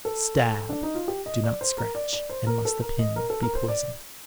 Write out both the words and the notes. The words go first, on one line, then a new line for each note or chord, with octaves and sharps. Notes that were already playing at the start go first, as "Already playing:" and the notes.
Stab, do not scratch, unless the pin be poisoned.
A4
D4
D#4
F4
G4
D#5
D5
C5
A#4
D5
D5
C5
A#4
A4
A#4
D#5
A#4
A4
A#4
C5
D5